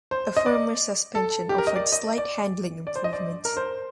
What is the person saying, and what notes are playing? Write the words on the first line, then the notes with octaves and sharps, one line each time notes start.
A firmer suspension offered slight handling improvements.
C5
D#5
D5
A4
G4
A#4
D#5
D5
D#5
D5
D5
C5
D#5
D5
A#4
C5